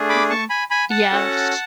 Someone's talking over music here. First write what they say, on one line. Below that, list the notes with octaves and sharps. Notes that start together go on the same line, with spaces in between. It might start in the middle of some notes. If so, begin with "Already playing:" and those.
Mhm. Yes.
Already playing: A3 D4 G#4
B5 D6
A5 C#6
G#5 B5
G#5 B5
F#5 A5
C#4 F#4 A4